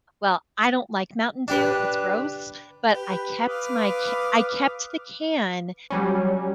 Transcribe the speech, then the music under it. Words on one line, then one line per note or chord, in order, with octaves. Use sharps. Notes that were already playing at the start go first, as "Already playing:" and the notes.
Well, I don't like Mountain Dew, it's gross, but I kept my c I kept the can,
D4 G4 B4
G4 B4
F5 D6 D#6
F#3 G3 C#4